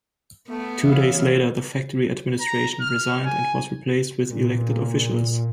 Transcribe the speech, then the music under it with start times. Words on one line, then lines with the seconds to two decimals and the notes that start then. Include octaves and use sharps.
Two days later the factory administration resigned and was replaced with elected officials.
0.49 A3 B3
0.83 C#3 E3 E5 F5
2.40 A#5
2.81 F6
3.25 G#5
4.27 A#2